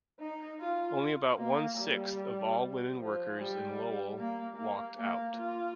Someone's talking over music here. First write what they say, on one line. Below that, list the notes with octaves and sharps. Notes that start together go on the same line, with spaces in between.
Only about one sixth of all women workers in Lowell walked out.
D#4
F4
A#3
G3
F3
G3
A#3
A#3
A#3
F4